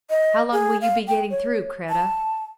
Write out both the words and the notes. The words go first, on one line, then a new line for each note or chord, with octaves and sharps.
"How long will you be getting through, Kreta?"
D#5
G#4
F5
G5
C#5
A5